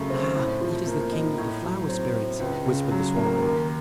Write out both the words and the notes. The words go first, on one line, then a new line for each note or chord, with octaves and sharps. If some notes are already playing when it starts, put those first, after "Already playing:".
'Ah, that is the king of the flower-spirits,' whispered the swallow.
Already playing: F#2 C#3 A3
C4
A2
F3
A#3
D#4
A2
F#3
C4
A2
C#2
C#3
F#3
A#3
D#2